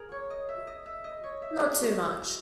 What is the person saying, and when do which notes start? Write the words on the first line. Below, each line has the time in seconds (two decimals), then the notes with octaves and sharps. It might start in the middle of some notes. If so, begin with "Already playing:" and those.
Not too much.
Already playing: G#4 A#4
0.12 C#5
0.30 D#5
0.49 E5
0.67 D#5
0.86 E5
1.04 D#5
1.24 C#5
1.42 E5
1.60 G#4
1.79 F#4
1.97 E4